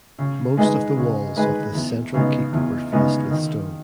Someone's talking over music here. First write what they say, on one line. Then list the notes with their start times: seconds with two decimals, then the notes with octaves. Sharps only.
Most of the walls of this central keep were faced with stone.
0.19 C#3
0.57 G#3 D#4 G#4 B4
0.97 C#3
1.36 G#3 D#4 G#4 B4
1.75 E2
2.14 C#3 G#3 B3 D#4
2.53 E2
2.92 C#3 G#3 B3 D#4
3.31 D#3